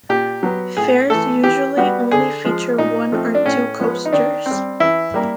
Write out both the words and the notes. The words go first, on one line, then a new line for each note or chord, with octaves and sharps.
Fairs usually only feature one or two coasters.
A#2 G4
F#3 B3
A2 G#4
E3 A3 A4
E3 G4
G3 B3 F#4
D3 G#4
F3 G#3
A#2 D#4
F3 A3 C4
D4
A2 C#4
F3 G#3 B3
D#4
D#3 D4
C4
G3
E3 E4
G3 A#3